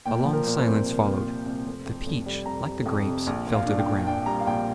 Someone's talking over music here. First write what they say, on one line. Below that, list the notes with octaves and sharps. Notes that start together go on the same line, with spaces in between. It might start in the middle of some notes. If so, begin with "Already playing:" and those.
A long silence followed; the peach, like the grapes, fell to the ground.
A#2 G5
F3
A#4
A#2
C5
C4
C2
C4
A#2
C2
F1
F2
F1
G3
F2 A#5
G3
F2
C3
A#1
A#2
F5
D4
G5
D4
D4 G5
G3 A#5
F5
A#1 G5